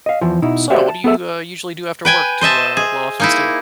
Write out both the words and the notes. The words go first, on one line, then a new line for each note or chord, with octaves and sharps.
So what do you, uh, usually do after work to, uh, blow off some steam?
D#5 F5
E2 E3 F3
B2 D#4 E4
F#4 G4 C5 D5 E5 F5
A5
B3 G#4 A4 E5
B4 G5 G#5
C5 D#5 E5 A5
G#4
A#3 D#4 E4